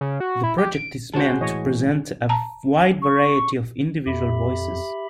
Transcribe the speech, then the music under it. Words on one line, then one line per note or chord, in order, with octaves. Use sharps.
The project is meant to present a wide variety of individual voices.
C#3
F#4
E4
G4
D7
G#3 F#4 C5 C#5 A5
A2 E3 C#5 D#5
A5 A#5
C#6
F2 G4 E5 B5